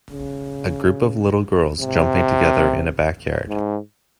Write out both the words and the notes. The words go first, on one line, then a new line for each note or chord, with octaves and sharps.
A group of little girls jumping together in a backyard.
C#3
C3
G#2